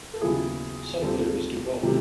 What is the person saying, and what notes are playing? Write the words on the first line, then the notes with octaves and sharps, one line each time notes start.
Some theories do both.
A4
D#2 C#3 F#3 B3 E4 G#4
D#2 D3 G3 C4 F4 A4
C3 D#3 F#3 A3